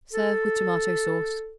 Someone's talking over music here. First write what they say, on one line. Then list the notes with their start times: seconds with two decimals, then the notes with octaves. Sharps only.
Serve with tomato-sauce.
0.13 A4